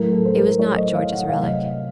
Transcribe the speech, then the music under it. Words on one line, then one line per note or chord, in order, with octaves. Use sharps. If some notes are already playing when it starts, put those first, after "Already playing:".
It was not George's relic.
Already playing: A2 F#3 A3 A#4
A4
C5
A#4
A2 F#3 A3 C#5
D#5
F5
F#5
C3 F#3 A3 F5
D#5
F5